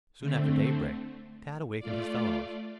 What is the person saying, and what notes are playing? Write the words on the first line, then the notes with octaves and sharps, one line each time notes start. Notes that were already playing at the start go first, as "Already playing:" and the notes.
Soon after daybreak, Tad awakened his fellows.
D3 A3 C4
A3 F4 D5